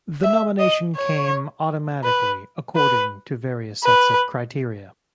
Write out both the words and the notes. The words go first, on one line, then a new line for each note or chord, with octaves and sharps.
The nomination came automatically according to various sets of criteria.
E5
D#5
C#5
B4
B4
B4